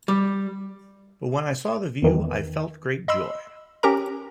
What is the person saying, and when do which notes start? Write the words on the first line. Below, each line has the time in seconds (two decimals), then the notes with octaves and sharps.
But when I saw the view, I felt great joy.
0.08 G3
2.02 E2 D#3 E3
3.08 D#5 B5 C6 E6
3.83 C#4 G4 A#4 A#5